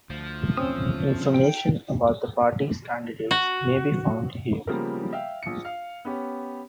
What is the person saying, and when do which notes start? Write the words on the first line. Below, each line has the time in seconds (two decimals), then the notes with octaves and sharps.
Information about the party's candidates may be found here.
0.10 D2 F3
0.57 C4 C#4 D#6 E6
1.34 G5
3.31 F#4
4.67 C#3 F3 G3 A#3 B3 A#4
5.13 E5 F5 G5
5.43 A#1 C#7
5.65 F5
6.05 B3 C#4 G4